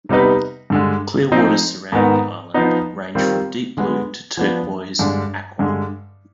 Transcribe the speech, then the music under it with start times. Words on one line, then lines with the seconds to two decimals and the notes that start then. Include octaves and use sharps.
Clear waters surrounding the island range from deep blue to turquoise aqua.
0.09 C3 G3 B3 D#4 B4
0.70 G2 D3 G#3
1.32 F3 C4 D#4
1.92 G#2 D#3 B3 D#4
2.54 F3 B3 D#4
3.15 D#3 G3 C4 F4
3.77 D3 G#3 B3
4.37 F3 B3 D4
4.99 G2 D3 G#3 D4
5.59 G2 D3 G#3